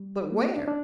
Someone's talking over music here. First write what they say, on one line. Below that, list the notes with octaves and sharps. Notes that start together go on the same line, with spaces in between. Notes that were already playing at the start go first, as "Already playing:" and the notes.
But where?
Already playing: G3
A#3
C4
D4
D4